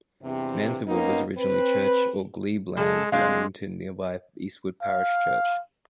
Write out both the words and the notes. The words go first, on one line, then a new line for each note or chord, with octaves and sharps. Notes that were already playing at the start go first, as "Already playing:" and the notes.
Mansewood was originally Church or 'Glebe' land belonging to nearby Eastwood Parish Church.
E2 G2 C3
A#3 B3 C#4 D#4
C4 B4
C#3 G#3 A4
G#3 C4 D4 F5
F5